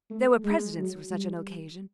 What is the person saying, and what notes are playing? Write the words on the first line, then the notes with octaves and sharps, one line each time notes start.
There were precedents for such an occasion.
A3
G#3
F#3
G3